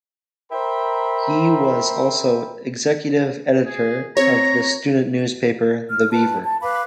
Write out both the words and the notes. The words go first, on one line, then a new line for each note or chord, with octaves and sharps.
He was also executive editor of the student newspaper, The Beaver.
A#4 C5 E5 G5 A#5 B5
G#4
C4 C#5 A#5
F6
B4 A5
A5
B4 F5 B5 D6